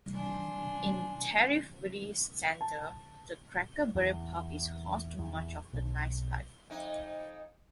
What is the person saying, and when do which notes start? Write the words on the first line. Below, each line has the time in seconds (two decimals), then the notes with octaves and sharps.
In Tariffville's center, the Cracker Barrel Pub is host to much of the night-life.
0.15 D4 G#5 C6
2.61 A5
3.95 E2
5.19 E2
5.73 B1
6.70 F2 D#4